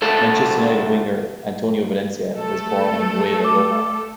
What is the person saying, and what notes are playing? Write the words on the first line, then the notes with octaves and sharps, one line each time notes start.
Manchester United winger Antonio Valencia was born in Nueva Loja.
C#2 A3 A4
A3 A4
D6